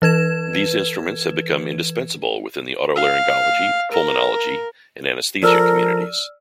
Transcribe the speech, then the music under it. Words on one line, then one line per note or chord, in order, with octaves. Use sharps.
These instruments have become indispensable within the otolaryngology, pulmonology and anesthesia communities.
E3 B4 G#6 E7
F5
A#4
F3 A4 A#4 D5 E6 F6